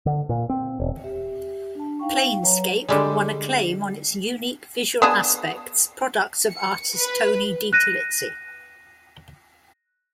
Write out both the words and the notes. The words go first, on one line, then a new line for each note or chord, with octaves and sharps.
"Planescape" won acclaim on its unique visual aspects, products of artist Tony DiTerlizzi.
D3
A#2
C4
E1
G4 E5
D4 A5
D#4 F5 G5 C#6
F#3 B4 C#5 A5 A#5
D3 G3 G#3
B3 D4 G#4
C#7
B4
F#6 A#6 D#7